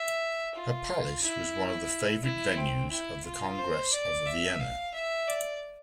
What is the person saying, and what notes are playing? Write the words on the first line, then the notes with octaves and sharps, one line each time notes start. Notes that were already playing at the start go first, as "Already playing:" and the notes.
Her palace was one of the favourite venues of the Congress of Vienna.
Already playing: E5
F4
E4
E4
C4
E4
F4
C5
D5
E5
F5
E5
D5